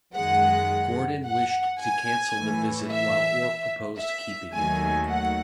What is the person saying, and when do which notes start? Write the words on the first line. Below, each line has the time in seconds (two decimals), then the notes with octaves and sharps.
Gordon wished to cancel the visit while Orr proposed keeping it.
0.15 F#2 D#3 G#3 F#5
1.24 F#5
1.79 G#5
2.34 A2 E3 A3
2.89 E5
3.98 E5
4.53 D#2 D#3 F#3 A3 G#5
5.08 F#5